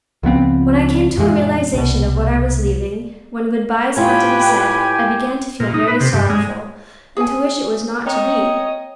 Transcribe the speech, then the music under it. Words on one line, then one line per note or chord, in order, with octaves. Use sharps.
When I came to a realization of what I was leaving, when good-bys had to be said, I began to feel very sorrowful, and to wish it was not to be.
C#2 F3 B3 C4
F#2 A#2 E3 G#3
C2 B2
A2 F4 G4 B4 C#5 G5 G#5
A#2
D#4
B4
C3
G2
G#3
G#4 G#5
C4 C#5 D#5 G5 A#5